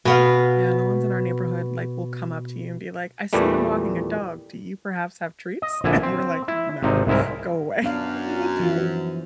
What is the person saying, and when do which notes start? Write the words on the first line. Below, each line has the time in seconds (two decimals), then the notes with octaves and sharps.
Yeah, the ones in our neighborhood, like, will come up to you and be like, "I see you're walking a dog. Do you perhaps have treats?" And we're like, "No, go away," and they do.
0.05 B2 B3 F5
3.33 E2 A#2 E3 G3 A3
5.62 D#5
5.84 A#1 D3 E4 G#5 A5
6.03 C4
6.48 E4
6.83 G#1 C3 D#4
7.07 C2 G#2 E4 A#4
7.82 F#2 B3 D4 F5
8.60 E3 F3